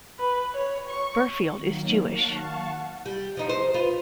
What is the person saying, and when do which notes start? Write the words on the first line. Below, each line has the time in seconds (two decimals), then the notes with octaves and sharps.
Berfield is Jewish.
0.19 B4
0.54 C#5
0.89 C#6
1.56 D#3 F#3 A#3
2.08 F5 F#5 A5 C#6
3.06 G3
3.37 F3 D#4
3.49 C5
3.74 F4 B4